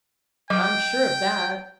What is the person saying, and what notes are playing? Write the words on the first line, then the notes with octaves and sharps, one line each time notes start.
I'm sure of that.
F#3 D#5 G5 D6